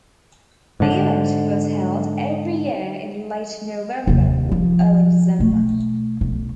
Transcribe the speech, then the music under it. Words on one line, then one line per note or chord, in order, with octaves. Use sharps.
The event was held every year in late November or early December.
G#2 D3
D#2 C3
F3
B2 A3
B1